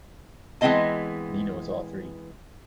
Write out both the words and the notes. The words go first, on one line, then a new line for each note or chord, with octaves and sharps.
Nino is all three.
E3 G#3 B3 C4 D#5 A5